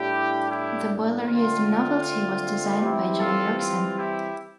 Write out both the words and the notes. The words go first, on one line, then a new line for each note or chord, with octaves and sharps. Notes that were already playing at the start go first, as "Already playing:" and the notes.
The boiler used on "Novelty" was designed by John Ericsson.
Already playing: A2 G3 D4 E4 G4
E4 G4
D3 A3 C4 F4
E3 G3 C4 E4 G4
F4 A4
F4
E4 G4